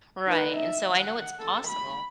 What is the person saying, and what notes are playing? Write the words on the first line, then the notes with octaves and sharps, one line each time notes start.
Right, and so I know it's possible.
D#4 B4
E5
F#5
A4
B5